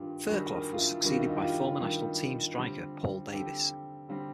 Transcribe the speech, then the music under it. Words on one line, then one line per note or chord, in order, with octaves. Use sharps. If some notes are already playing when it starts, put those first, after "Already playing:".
Fairclough was succeeded by former national team striker Paul Davis.
Already playing: G2 D#3 F4 G4
G2 D#3 G3 F#4 G#4
G#4 A#4
F4
D4 E4
G2 D#3 G3 F#4
F4
E4
D#4 F4
F4 G4
G2 D#3 G3
D3 G3 C4
D3 G3 C4 G4 A4
D3 G3 C4